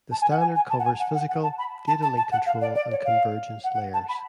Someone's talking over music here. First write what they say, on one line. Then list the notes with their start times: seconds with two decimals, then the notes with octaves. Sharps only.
The standard covers Physical, Data Link Control and Convergence layers.
0.11 A5
0.21 G#5
0.30 F#5
0.40 G#5
0.55 G#5
0.69 A5
0.79 F#5
0.84 G#5
0.99 F#5
1.14 F#5
1.28 F#5
1.43 A5
1.58 B5
1.87 A5
2.02 A5
2.17 A5
2.31 F#5
2.46 F5
2.61 D5
2.75 D5
2.90 C#5
3.04 F5
3.63 F#5
3.73 F#5
3.93 A5
4.08 B5